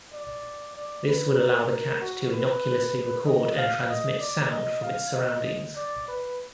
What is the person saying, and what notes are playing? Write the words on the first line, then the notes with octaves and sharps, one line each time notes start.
This would allow the cat to innocuously record and transmit sound from its surroundings.
D5
D5
B4
A#4
F#4
B4
D#5
F5
D#5
D5
D#5
F5
D#5
D5
B4